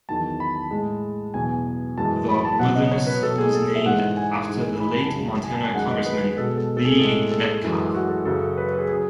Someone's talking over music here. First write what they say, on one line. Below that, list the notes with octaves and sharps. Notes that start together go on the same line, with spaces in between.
The wilderness was named after the late Montana congressman Lee Metcalf.
E2 D#3 F#3 A5
B5
A5
A2 G#3 A5
E2 B2 F#3 G#5
G#5
F#2 E3 G#3 A5
B5
A5
B2 F#3 F#5
D#5
C#5
B4
B2 F#3 A4
G#4
A4
E5
G#2 E3 G#3 F#5
G#5
G#2 E3 G#3
B5
B5
A5
F#2 C#3 G#3
G#5
A5
G#5
F#2 D#3 G#3 F#5
D#5
B4
B2 G#3 A4
A4
A4
G#4
A2 G#3 A4
A4
F#2 E3 G#3
F#4
A4
F#2 C#3 F#3 A4
B4
C#5
G#4
F#3 G#4